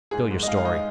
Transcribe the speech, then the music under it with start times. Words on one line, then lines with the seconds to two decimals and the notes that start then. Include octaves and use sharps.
"Spill your story."
0.11 G#2 G#4
0.30 G#2
0.43 D#5
0.47 G#3 F5
0.57 F5
0.64 G#2 D#5